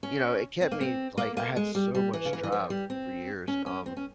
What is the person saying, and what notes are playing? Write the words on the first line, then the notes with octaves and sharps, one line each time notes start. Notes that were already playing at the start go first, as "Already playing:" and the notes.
you know, it kept me like, I had so much drive for years, um,
C#4
C4
A#3
C4
A#3
A#3
G#3
G3
G3
E3
C#3
E3
E3
F3
G3
C4
C#4
C#4
C4
C#4